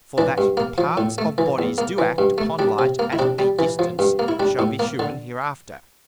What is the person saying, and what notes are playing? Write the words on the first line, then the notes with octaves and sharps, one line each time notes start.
For that the parts of Bodies do act upon Light at a distance shall be shewn hereafter.
E3 D4
G2
A#3
F3
A2
A3
E3
E2
A#3
E3
G2
A3
G3 D4
C3
A#3
E4
C3 D4
G3
E3
F3
G2
A#3
E4
G3 D4
A2
A#3
D3